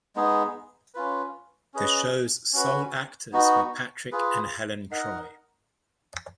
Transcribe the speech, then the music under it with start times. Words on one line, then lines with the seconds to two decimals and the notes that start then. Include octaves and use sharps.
The show's sole actors were Patrick and Helen Troy.
0.16 G#3 B3 D#4 G#4
0.95 C#4 F4 B4
1.74 C#4 G#4 B4 D#5
2.53 C#4 F#4 B4
3.33 B3 D#4 F#4
4.12 F4 G#4 B4
4.91 D#4 A#4 D#5 F#5